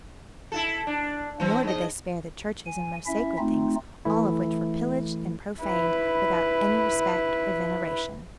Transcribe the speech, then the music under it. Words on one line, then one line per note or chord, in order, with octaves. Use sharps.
Nor did they spare the churches and most sacred things; all of which were pillaged and profaned, without any respect or veneration.
E4 F#4 A4
D4
E3 C4
G#2 D#5
G#5
C#4 E4 E5
A3 C4 D#4 F4
E3 A3 E4
E4 B4